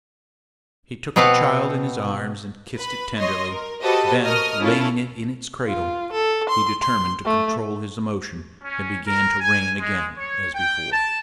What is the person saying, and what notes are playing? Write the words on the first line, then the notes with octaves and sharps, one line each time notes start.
He took the child in his arms and kissed it tenderly; then laying it in its cradle, he determined to control his emotion and began to reign again as before.
B2 B3 C4 B4 F5 F#5
B4 B5
C#5 D#5 C6
A#4
F#4 G4 A4 B4 C5 D#5
A#4 D#5 C#6 D#6 F6
C#4 E4 F4 A4
F4
A4
C6
C6
A3
C#4
A#4
G#5
G#3
C#5
G5
A5